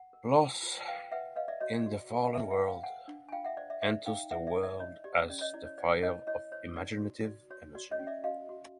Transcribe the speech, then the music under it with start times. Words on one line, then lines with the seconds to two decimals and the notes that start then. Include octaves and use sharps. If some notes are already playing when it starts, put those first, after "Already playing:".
Los, in the fallen world, enters the world as the fire of imaginative energy.
Already playing: F#5
0.13 A#4
0.38 F4
0.63 F4
0.87 B4 F5 G5
1.11 B4 E5 F#5
1.36 B4 D#5 F5
1.48 D5 E5
1.60 F#4 C#5 D#5
1.74 D5
1.86 F#4
2.11 F#4
2.25 D#5
2.34 B4 D5 E5
2.50 E5 F#5
2.60 B4
2.67 F5 G5
2.83 C5 F#5 G#5
3.08 D4
3.29 G#5
3.32 F4 F5 G5
3.44 E5 F#5
3.57 C5 D5
3.70 D5 E5
3.82 C5 D5 E5
4.06 D#4 F5 G5
4.31 C5 E5 F#5
4.47 D5 E5
4.55 D#4
4.63 D5 E5
4.80 E4 C#5 D#5
5.04 G4 D5
5.30 C#4 D5
5.41 C#5 D#5
5.54 E4 D5
5.65 C#5
5.78 C5 D5
6.02 E4 C#5 D#5
6.27 E4 C#5 D#5
6.52 C5 C#5
6.76 D#4 D5
7.02 F#4
7.25 F#4 D5
7.50 F#4 C#5
7.75 F#4 D5
7.91 C#5 D#5
7.99 C#4
8.07 D5 E5
8.24 F#4 D#5 F5
8.49 F#4